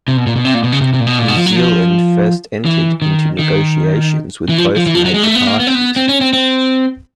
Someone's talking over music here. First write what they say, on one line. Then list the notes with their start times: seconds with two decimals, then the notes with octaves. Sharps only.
New Zealand First entered into negotiations with both major parties.
0.08 C3
0.17 B2
0.27 A#2
0.36 B2
0.45 C3
0.54 A#2
0.64 B2
0.72 C#3
0.81 C3
0.93 C3
1.00 A#2
1.07 B2
1.18 A#2
1.28 B2
1.37 F3
1.46 F#3
1.56 F3
2.65 E3
3.02 D#3
3.39 D#3
4.49 E3
4.58 F3
4.76 F3
4.86 E3
4.95 F3
5.05 F#3
5.14 G#3
5.23 A3
5.35 B3
5.47 A#3
5.60 B3
5.67 C4
5.75 B3
5.96 C4
6.09 C#4
6.21 C4
6.33 C4